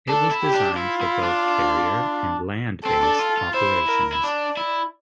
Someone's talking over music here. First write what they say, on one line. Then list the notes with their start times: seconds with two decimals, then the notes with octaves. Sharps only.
It was designed for both carrier- and land-based operations.
0.09 D4 A4
0.31 E4
0.43 G4
0.54 D4
0.77 E4 F4
1.01 E4
1.23 D4
2.85 C4 A4
3.03 D4
3.19 F4
3.37 F4
3.54 E4 C5
3.88 A#4
4.13 E4
4.24 D4 D5
4.57 E4